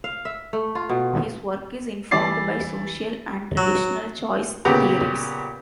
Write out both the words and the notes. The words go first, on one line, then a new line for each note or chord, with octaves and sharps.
His work is informed by social and rational choice theories.
F5
E5
A3
F4
B2
E3 G3 D5 D6 A6 C7
F#3
A#2 C#3 B3 G4 A#5